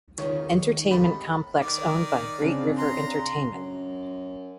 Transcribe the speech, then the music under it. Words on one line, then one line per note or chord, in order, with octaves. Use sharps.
Entertainment Complex owned by Great River Entertainment.
C#2 D#3 C#5
D#2 G#2 A4 B5
D#3 D5
C#3 C4 D4
A#5 C6
F#2